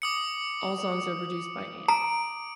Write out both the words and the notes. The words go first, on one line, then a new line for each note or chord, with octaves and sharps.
All songs are produced by Ant.
D6 D#6 C#7
A#5 D7